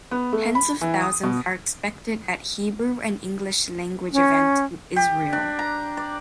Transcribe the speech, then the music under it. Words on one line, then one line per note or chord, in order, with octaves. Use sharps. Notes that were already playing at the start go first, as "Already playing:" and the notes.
Tens of thousands are expected at Hebrew- and English-language events in Israel.
B3
A3
B5
E3
D#6
B2
C#4
G4
D4
A#5
D5